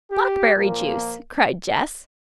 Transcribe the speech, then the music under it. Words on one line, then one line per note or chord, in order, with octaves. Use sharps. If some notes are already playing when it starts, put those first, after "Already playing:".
"Blackberry juice!" cried Jess.
G4
A#2 F3 A#3